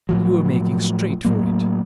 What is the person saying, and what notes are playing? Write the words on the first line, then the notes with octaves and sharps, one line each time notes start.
You were making straight for it.
A2 F3 F#3
A2 F#3 A#3